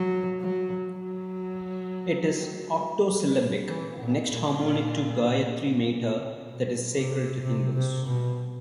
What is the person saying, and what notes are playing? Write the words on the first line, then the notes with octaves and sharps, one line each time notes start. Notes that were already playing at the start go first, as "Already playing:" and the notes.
It is octosyllabic, next harmonic to Gayatri meter that is sacred to the Hindus.
Already playing: F#3
F#3
F#3
E3
A#2
A#2
B2
C3
C3
C3
B2